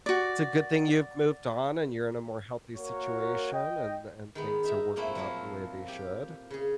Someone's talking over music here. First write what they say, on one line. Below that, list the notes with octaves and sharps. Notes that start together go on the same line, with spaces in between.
it's a good thing you've moved on and you're in a more healthy situation and and things are working out the way they should.
F#4 D5
A#3 F#4 A#4 C#5
D#5 G5
D#3 G#3 B3
D#4 E5 A#5
A#2 A3 A#3 C4 E4
F3 F#3 E4 F4
G4
C#3 G#4